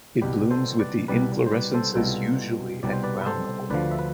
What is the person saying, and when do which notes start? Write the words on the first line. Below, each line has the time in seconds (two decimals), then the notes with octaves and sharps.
It blooms with the inflorescences usually at ground level.
0.21 C2 B2 G3 G4 B4
0.51 A4 C5
0.79 B4 D5
1.08 C2 B2 G3 B4 D5
1.46 C5
1.52 B4 D5
1.74 A4 C5
1.95 C2 B2 G3 F4 A4
2.83 C2 B2 G3 D5
2.93 C5
3.03 B4 D5
3.21 B4
3.26 A4 C5
3.70 D2 D3 F3 B4 D5
3.91 E5
3.99 B4